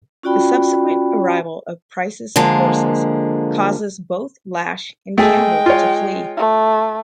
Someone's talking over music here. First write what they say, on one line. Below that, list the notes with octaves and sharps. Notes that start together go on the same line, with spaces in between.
The subsequent arrival of Price's forces causes both Lash and Campbell to flee.
C#4 F4 F#4 D5 G5 B5
D3 F3 G#3 A#3
G#3 A3 G#4 G5
F4 C#5
A3